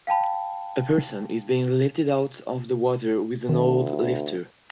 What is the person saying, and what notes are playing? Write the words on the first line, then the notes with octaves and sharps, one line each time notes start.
A person is being lifted out of the water with an old lifter.
F5 G5 A5 B5
D2 D#3